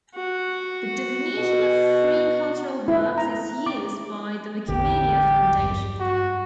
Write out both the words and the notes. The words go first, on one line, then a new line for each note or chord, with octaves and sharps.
The "Definition of Free Cultural Works" is used by the Wikimedia Foundation.
F#4
B2
E4
A#5
D6
A1 E2 D3 G4
G2
F#4